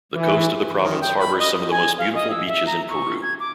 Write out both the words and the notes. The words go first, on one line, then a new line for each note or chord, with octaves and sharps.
The coast of the province harbors some of the most beautiful beaches in Peru.
E3
D#3
G5
B5
D#5
G#5
F5
D#5
E6
E5
A#5
C#6
G#6
D6